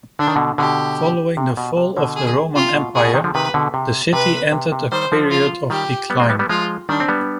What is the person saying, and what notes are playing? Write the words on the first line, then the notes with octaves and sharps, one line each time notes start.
Following the fall of the Roman Empire, the city entered a period of decline.
D3 D4
D#3
B2 D3
B2 D3 G4
C3
B2
C3
B2 D3
G#4
C3 F4
B2
C3 G#4
B2
C3 D#3
D3 F3
C3 D#3 B4
B2 D3
C3
C3 B4
C3
C3
D#3 G3 C5
D3 F3
F4
D#3 G3 G4
G3 B3
G#3 C4
G3 B3
G3 B3
F3 G#3 F4
D#3 G3 D4
C4
G3 B3